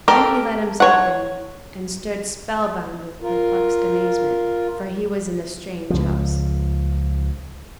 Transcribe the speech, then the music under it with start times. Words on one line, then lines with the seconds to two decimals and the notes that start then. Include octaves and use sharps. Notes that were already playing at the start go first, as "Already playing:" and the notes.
Then he let himself in, and stood spellbound with perplexed amazement,--for he was in a strange house.
0.08 G4 A4 A#4
0.80 C#5 F#5
3.22 F4 A#4
5.90 C#2 F3